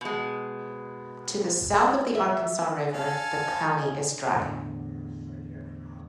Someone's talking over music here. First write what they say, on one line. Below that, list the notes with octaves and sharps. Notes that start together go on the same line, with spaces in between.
To the south of the Arkansas River, the county is dry.
B2 G#3
E5
A4 F5 G#5
E2 A2 D3